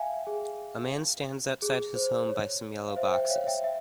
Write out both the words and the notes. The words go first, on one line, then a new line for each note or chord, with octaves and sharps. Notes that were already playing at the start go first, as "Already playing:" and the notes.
A man stands outside his home by some yellow boxes.
Already playing: E5 F5 G5 G#5
G#4
G#4
C5
C#5
F5
C5 E5
E5 G5
C#5 F5
E5 G5
E5 G5